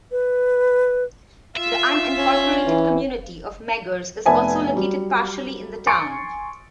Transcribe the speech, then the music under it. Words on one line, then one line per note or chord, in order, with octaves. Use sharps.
The unincorporated community of Meggers is also located partially in the town.
B4
F4 E5
C#4
E3
F1 B3 E5 G#5 A5
F#3 G3
G#5 C6 C#6 A6 C#7 D7